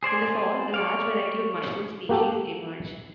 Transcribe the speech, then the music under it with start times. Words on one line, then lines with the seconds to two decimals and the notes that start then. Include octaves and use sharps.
In the fall, a large variety of mushroom species emerge.
0.03 G#4 C5 D5 G#5
0.74 C#5 D5 F5
2.09 A#3 F#4 G4 A4